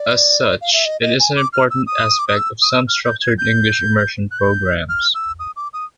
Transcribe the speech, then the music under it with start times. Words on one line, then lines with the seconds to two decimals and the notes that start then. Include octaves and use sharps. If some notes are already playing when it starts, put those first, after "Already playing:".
As such, it is an important aspect of some structured English immersion programs.
Already playing: D5
0.61 F5
0.73 E5
0.85 D#5
1.02 D#5
1.20 G#5
1.36 D6
1.53 F6
1.70 E6
1.87 D#6
2.19 D6
2.28 D#6
2.37 E6
2.62 D#6
2.70 E6
2.88 F6
3.04 G6
3.22 G#6
3.38 G6
4.31 F#6
4.39 G6
4.89 F6
5.15 E6
5.39 D#6
5.56 D6
5.73 D#6